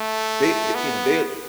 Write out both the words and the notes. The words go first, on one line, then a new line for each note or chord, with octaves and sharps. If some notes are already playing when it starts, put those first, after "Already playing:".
they th you know, they
Already playing: A3
B3